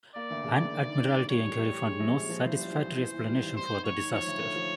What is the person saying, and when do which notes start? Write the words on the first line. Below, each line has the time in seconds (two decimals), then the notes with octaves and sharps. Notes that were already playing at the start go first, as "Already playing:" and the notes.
An Admiralty enquiry found no satisfactory explanation for the disaster.
0.15 A#3 D5
0.30 D2
0.44 C#3
0.58 D2
0.72 D#3
0.86 G#2
1.00 D#3
1.15 G3
1.29 G3 C#5
1.43 E2
1.57 G3
1.71 G3
1.86 G#3
2.00 A#1
2.14 G#3
2.29 F3
2.42 F#1 C5
2.57 G3
2.71 E2
2.85 E2
3.00 E3
3.14 E3
3.28 G3
3.42 G#1
3.56 D#3 C5
3.70 G#2
3.84 D#3 C#5
3.99 G#2
4.13 F3 C#5
4.27 D2
4.42 A3
4.55 F3